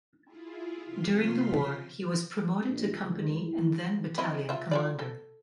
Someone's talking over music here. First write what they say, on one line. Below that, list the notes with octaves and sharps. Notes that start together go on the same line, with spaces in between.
During the war he was promoted to company and then battalion commander.
E4 F4 G#4
C3 F3 F4 C6 F6 B6
A#1
C#2
E4
C4 E4 D#5
F4 E5
F4 A4 D5
A4